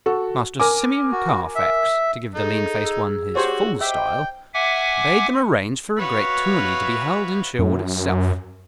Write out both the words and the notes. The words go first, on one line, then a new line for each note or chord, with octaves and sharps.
Master Simeon Carfax, to give the lean-faced one his full style, bade them arrange for a great tourney to be held in Sherwood itself.
F#4 A4
A#4 G#5 D6
F#4
E5
D#4 G#4 A4
G#4 E6
F#4 G4 C5 C#5
C5 D#5 E5 G5 D6
E5 F#5 G#5 D6
F#4 B4 C#5 E5 F5
F#2